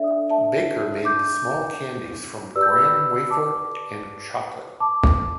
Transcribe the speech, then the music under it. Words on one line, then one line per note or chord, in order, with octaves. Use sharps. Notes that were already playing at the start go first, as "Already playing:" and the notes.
Baker made the small candies from graham wafer and chocolate.
Already playing: D4 A4 D5 E5
E5 A5
D6 G6
G4 B4 D5 E6
G6
B5 E6
A5 D6
A5 D6